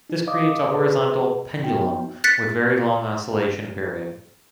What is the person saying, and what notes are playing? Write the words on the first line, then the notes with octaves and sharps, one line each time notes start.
This creates a horizontal "pendulum" with very long oscillation period.
D#4
D#5 F5 D6 D#6
G#4 B4
B3 D#4 F#4 G5
F#6 A6 B6 C#7